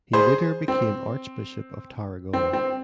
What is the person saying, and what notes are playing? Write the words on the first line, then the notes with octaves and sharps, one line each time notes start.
He later became Archbishop of Tarragona.
G#4 C5
C4
C4
C4